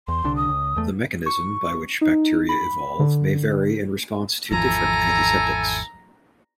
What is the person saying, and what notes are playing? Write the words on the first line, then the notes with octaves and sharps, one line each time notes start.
The mechanism by which bacteria evolve may vary in response to different antiseptics.
E2 C6
C2 D3 D4
D#6
C#2
E2 A3
C#6
D#4
B5
D3
G#1 E2 F3 E4 A4 G#5 A#5